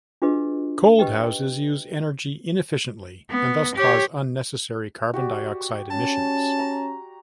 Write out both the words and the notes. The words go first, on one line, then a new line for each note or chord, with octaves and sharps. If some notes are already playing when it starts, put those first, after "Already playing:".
Cold houses use energy inefficiently and thus cause unnecessary carbon dioxide emissions.
D4 F4 F#4 G#4 B4 D#5
G4 B4 D#5 G5
B3
G4 C#5
F#4 G4 D5
C#4 A5
A#5